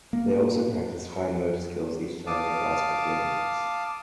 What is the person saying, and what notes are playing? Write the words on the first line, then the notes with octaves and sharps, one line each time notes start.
They also practice fine motor skills each time they grasp a game piece.
A#3
F5 A5 D6 D#6